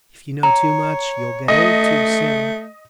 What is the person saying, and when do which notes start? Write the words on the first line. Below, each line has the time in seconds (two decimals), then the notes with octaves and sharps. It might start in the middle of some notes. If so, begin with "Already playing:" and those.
"If you know too much, you'll get old too soon."
0.43 C#5 A#5
1.48 A3 D#5